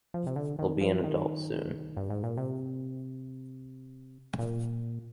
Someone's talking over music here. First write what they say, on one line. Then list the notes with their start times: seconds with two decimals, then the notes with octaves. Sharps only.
He'll be an adult soon.
0.14 F3
0.27 C3
0.36 D3
0.59 D#3
0.81 F3
1.04 D#3
1.97 G2
2.10 G#2
2.23 A#2
2.37 C3
4.39 A#2